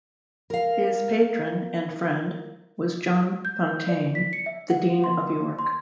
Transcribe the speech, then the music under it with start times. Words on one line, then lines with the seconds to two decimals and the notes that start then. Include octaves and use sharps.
His patron and friend was John Fountayne, the Dean of York.
0.50 A#4 F5
3.45 G6
3.88 D5
4.15 B6
4.33 C#7
4.46 E5
4.70 F#5
5.04 C6
5.59 C6